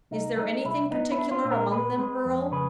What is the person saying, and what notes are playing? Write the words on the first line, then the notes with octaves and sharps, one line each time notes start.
"Is there anything particular among them, Earle?"
C2 D#4
G#3 D#4
C2 E4
B3 D#4
E4
D4
F4
A#2
A#4
G#3 B4
G#3
F2
C#3 B4